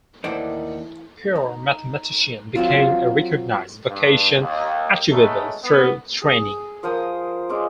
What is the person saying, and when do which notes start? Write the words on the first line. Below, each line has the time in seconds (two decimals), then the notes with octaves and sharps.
Pure mathematician became a recognized vocation, achievable through training.
0.24 D#2 D#3 E3 A3 D#4 C5 D5 F#5
1.36 D#4
2.55 F#3 C4 F4
3.88 G2
4.40 D#2
5.11 F#3 G#3 A3 B3 C#4 D#4
5.63 B3
6.22 G#4
6.83 F3 A#4 C5 D#6
7.49 G#3 C#4 F4 D6